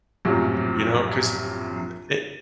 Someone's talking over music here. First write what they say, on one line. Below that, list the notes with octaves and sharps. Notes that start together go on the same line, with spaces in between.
you know, 'cause n it
A#1 F#2 A2 C3 F3 F#3